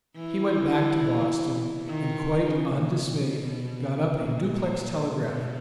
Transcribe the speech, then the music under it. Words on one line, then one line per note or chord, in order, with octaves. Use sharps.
He went back to Boston, and quite undismayed got up a duplex telegraph.
E3
D#3
C#3
A#2
B2
A#2
B2